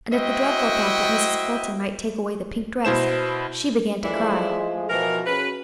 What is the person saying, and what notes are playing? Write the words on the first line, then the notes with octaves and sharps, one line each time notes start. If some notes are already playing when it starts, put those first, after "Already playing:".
And at the dreadful thought that Mrs. Fulton might take away the pink dress she began to cry.
E4 F#4 C5 D#5 E5 G5
B2 E4 C5 E7
E3 F3 G#3 A3 D4 E4
B2 E3 F3 A#4
C#4 F#4 G#4 B4